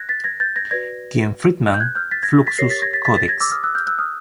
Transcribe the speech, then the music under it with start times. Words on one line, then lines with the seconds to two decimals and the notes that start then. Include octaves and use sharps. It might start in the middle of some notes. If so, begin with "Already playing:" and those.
"Ken Friedman." "Fluxus Codex".
Already playing: F#6 G#6 A#6
0.09 A6 B6
0.24 G#6 A#6
0.40 G6 A6
0.56 G#6 A#6
0.71 F#4 B4 D5 G#6 A#6
1.74 G6
1.80 F#6 G#6
1.95 F6 G6
2.11 A6 B6
2.23 G#6 A#6
2.47 A6 B6
2.58 G4 A#4 C#5 A#6 C7
2.70 A6 B6
2.82 G#6 A#6
2.93 A6 B6
3.05 A6 B6
3.17 A6 B6
3.28 G#6 A#6
3.41 D6 E6
3.51 D#6 F6
3.64 E6 F#6
3.75 F6 G6
3.87 E6 F#6
3.98 D#6 F6